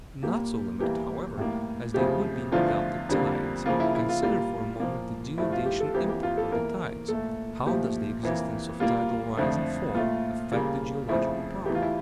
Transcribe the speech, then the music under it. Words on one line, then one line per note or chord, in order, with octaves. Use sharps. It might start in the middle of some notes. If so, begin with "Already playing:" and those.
Not so limited, however, as they would be without the tides. Consider for a moment the denudation import of the tides: how does the existence of tidal rise and fall affect the geological problem?
A#2 G3 A#3 G4
E2 E3 G3 A#3 G4
A2 G3 A#3
F2 C#3 F3 A3 G4
E2 D3 F3 A3 F4
F2 D3 G3 A#3
C#3 F3 A#3 F4
E4
E4
F4
A#2 G3 A#3 F4
A#2 F3 A#3
G2 F3 A3 E4
F4
G4
A4
F2 E3 A#3 G4
G4
F4
A4
E2 E3 A#3 A#4
A#2 A3 A4
A#2 F3 A3 G4
F2 E3 A#3
A#2 G3 A#3 F4
F2 D3 F3 A3
A#2 A3 F4
C#3 G3 A#3
F2 C#3 F3 A3 E4
E2 E3 A3 G4
F4
E4